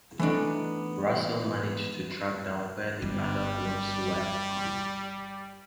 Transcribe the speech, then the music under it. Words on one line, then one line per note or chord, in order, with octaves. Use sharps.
Russell managed to track down where the other gloves were.
E3 A3 B3 D4 D#4
G1 G3